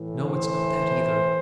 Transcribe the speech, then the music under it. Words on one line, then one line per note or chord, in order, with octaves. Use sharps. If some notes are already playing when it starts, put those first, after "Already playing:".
No, it's not that either.
Already playing: A2 E3
C5